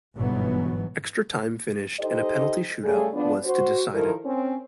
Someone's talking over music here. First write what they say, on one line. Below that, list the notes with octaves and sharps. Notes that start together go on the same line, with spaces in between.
Extra time finished and a penalty shoot-out was to decide it.
G1 G#2 B2 E3 F#3 B3
D#4 G4 A4 C5 D#5
C#3 G3 A3 G#4
F3 B3 D4
F#4 C5
D#3 F3 E4 A4 A#4
C4 C#4